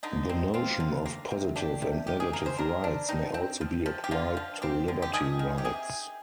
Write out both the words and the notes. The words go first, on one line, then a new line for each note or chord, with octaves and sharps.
The notion of positive and negative rights may also be applied to liberty rights.
D3 D#4
C4
C4 F4
D3
A#3
C3
D4 G4
C3
D#3 G4
G#4
A#3 A#4
C5
D4 A#4
D4
C4 D#4
C4
F3
F3
G4
D3 F4
F3
C4 G4
D3
G4
D#3 G#4
D#3
G4
C3 G#4